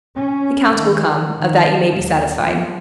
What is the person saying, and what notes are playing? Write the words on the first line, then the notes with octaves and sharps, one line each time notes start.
"The count will come, of that you may be satisfied."
C#4
D#3
D#3
D#2
F3